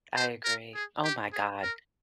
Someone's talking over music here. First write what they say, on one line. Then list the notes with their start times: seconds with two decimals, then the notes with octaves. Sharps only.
I agree. Oh my god.
0.16 C5
0.45 A#4
0.75 G#4
1.04 G4
1.33 G#4
1.63 A#4